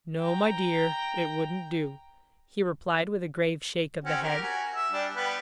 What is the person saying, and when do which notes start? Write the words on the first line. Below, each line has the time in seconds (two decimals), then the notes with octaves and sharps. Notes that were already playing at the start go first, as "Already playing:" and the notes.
"No, my dear, it wouldn't do," he replied with a grave shake of the head.
0.19 G5 A#5
4.04 C4 C#4 F#4
4.22 G4 A#4
4.42 F#4 G#5
4.75 E5
4.92 G3 D4
5.14 G3 B3 B4